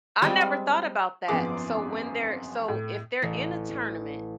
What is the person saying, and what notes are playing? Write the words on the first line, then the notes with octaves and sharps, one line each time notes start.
I never thought about that. So when they're so if they're in a tournament,
G3 G#3 C4
G#1 F#2 F3 B3 G#4 D6
A2
A1